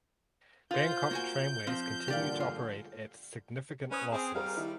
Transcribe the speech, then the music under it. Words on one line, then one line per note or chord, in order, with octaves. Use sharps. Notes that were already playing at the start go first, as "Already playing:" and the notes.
Bangkok Tramways continued to operate at significant losses.
F4 C5 G6
A#3 F#4 G#5
F3 C4
G2 A#2 D3 G4 D5 F5
F4
C#4 B4 C5 D#6
C4 G#4 G#5
G3 G#4 A#4 C5 F5
D#3 D#4 E4